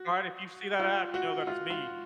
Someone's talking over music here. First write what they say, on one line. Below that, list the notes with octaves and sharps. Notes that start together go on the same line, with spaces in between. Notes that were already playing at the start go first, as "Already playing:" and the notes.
Alright, if you see that app, you know that it's me.
Already playing: F#4
F4
F#4
F4
F4